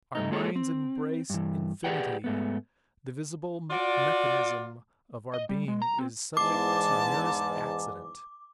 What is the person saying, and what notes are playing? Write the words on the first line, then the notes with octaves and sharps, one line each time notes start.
Our minds embrace infinity; the visible mechanism of our being is subject to merest accident.
G2 A3 D#4
G#3 A#3 F4 G#4 A4 C#5
C4
G2 E3
G4 G#4 B4 D5 F#5 G5
G#2 A3 B3
F4 F#4 D5
D#5
G3
G#3
A#5
C4
E2 G#2 A5 D6